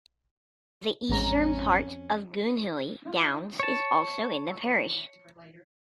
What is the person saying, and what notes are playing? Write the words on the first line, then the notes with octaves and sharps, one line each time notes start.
The eastern part of Goonhilly Downs is also in the parish.
A1 F2 G#2 C#4 A#5
C#5 A5